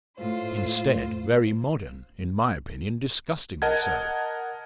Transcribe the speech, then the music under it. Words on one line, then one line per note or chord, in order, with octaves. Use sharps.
"Instead, very modern; in my opinion, disgustingly so!"
A2 F4 C5
A#4 D#5 F#5 A5 G#6